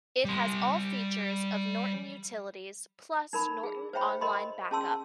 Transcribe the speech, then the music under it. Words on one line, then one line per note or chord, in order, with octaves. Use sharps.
It has all features of Norton Utilities plus Norton Online Backup.
G3 C6
D#4 A#4 B5
G#4
C5 C#5 E5 G5 B5
A#4 D#5 B5 C6
C#4 G#4 A5 C6 E6